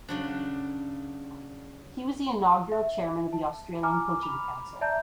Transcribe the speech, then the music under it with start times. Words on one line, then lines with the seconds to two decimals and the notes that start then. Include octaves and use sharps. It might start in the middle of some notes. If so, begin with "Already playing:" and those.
He was the inaugural chairman of the Australian Coaching Council.
0.09 C#3 F#3 D4
2.72 E5
3.33 A5
3.83 G#5 A#5 D6 F6
4.23 B5 F7
4.81 D5 E5 A5 A#5 G6